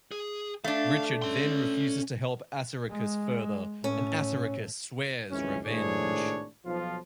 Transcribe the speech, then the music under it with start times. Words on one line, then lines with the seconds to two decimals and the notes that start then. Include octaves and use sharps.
Richard then refuses to help Assaracus further, and Assaracus swears revenge.
0.11 G#4
0.64 A3 D4 F5
1.22 C#4 C6
2.90 G#3
3.84 A2 C#4
5.31 G#1 C#2 E3 C#4
5.64 G#1 A2 C3 D4 G#4 C#5
6.64 B1 F3 F4